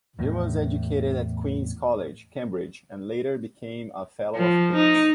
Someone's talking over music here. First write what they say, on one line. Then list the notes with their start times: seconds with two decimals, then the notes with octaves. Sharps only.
He was educated at Queens' College, Cambridge, and later became a Fellow of Queens'.
0.19 E2 A2
4.35 F3
4.74 D#4